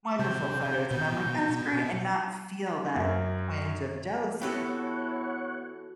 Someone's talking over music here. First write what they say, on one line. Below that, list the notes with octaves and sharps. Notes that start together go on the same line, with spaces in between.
wonderful photos, and I'm like, "That's great," and not feel that twinge of jealousy.
C3 G6
B2
F#2
E3 B3 E4 F#4 G4 A4 C#5 F#5